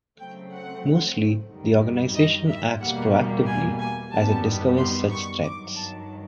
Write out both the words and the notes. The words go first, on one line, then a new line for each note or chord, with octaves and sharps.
Mostly, the organization acts proactively as it discovers such threats.
C#3 F#3 A3 C4 G5
F#5
F#2 D#3 G3
D#5
E5
E2 B2 G3 A#3 F#5
G#5
G#5
F#2 D#3 G3 B3 A5
C6
C#6
G2 D#3 F#3 D6
A5